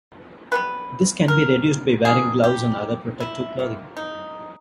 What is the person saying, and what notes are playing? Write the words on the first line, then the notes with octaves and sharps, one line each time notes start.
This can be reduced by wearing gloves and other protective clothing.
C#3 G3 B3 B4
A#4
D#3 G3 A#3 G#4
G4
E4
D#3 A#3
D#4